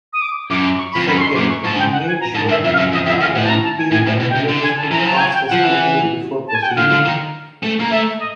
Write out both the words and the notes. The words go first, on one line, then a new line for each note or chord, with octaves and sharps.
Second, he made sure he had a detailed and realistic cost estimate before proceeding.
D#6
D6
F#2 D6
D6
C#6
B5
F2
F#2 B5
C#6
C6
F#2 D6
C#6
G#2 A5
G5
F#5
G#5
A#5
G#2 A5
G2 E5
F2 E5
F5
F#2 E5
F2 D#5
F2 E5
E2 F5
A2 F#5
A5
A#5
A5
G#5
A2 G#5
A2
B2
G5
C3
D3
G#5
A5
E3 A#5
F3
F#3 A5
G5
G#5
G5
F3 F#5
E3
A5
G#5
G5
F#5
D3 F5
D3
D#3
A3
A#3
A3 E5
D#5